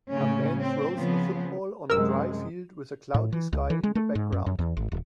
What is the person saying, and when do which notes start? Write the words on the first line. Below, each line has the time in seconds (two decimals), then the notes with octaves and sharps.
A man throws a football on a dry field with a cloudy sky in the background.
0.11 A2 C#3 A#3 C#4
0.61 C4
0.96 C#3 F3 B3 C4
1.90 F#2 C3 G#3 A#4 E6
3.14 A2
3.33 E3
3.53 C#2
3.70 E3
3.83 G#3
3.95 A3
4.15 G#2
4.32 F#2
4.46 F#2
4.59 E2
4.77 G#1
4.92 D#1